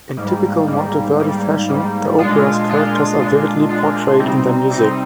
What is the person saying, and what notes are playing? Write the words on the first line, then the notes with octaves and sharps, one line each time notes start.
In typical Monteverdi fashion the opera's characters are vividly portrayed in their music.
G#2 G3 A#3
G#2 G3 A#3
G#2 G3 A#3
G#2 G3 A#3
A#2 G#3 D4 F4
A#2 G#3 D4 F4
A#2 G#3 D4 F4
A#2 G#3 D4 F4
C3 G3 C4 D#4
C3 G3 C4 D#4